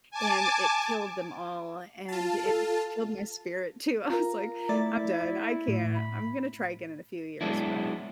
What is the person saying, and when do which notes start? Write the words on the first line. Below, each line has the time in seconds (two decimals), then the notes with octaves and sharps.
and it killed them all and it killed my spirit too. I was like, "I'm done, I can't, I'm gonna try again in a few years," but
0.11 G#5 A5 D6
2.08 F4 A5
2.46 A4
4.10 F4 A#4 A#5
4.69 A3 E4 D5 A6
5.68 A2
5.96 B5
7.41 F#3 G#3 B3 D4 E4